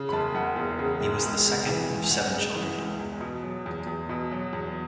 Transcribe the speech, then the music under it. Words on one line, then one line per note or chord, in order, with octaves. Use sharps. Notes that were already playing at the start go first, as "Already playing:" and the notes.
He was the second of seven children.
Already playing: C#3
B5
E1 A5
E1 F#5
E2
C#3
E1
C#2
C#3
E3
C#2
G#5
C#2 F#5
C#3
E3
C#2
E2
B2
F#3
E2
E2
B2
F#3
E2